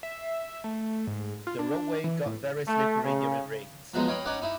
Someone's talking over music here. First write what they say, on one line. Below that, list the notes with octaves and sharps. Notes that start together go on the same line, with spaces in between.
The roadway got very slippery during rains.
E5
A3
G#2
F4
D4
E3
A2
A3
C#3
F3 F#3 G#3 B3 D#4
C#5 D#5 F5 G5 B5
C#4 D#4 C#5 D5 F#5
D#4 E4